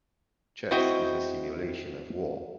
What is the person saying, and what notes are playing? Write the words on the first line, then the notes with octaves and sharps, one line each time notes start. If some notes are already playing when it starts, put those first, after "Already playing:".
Chess is a simulation of war.
C4 E4 F#4 D#5 G5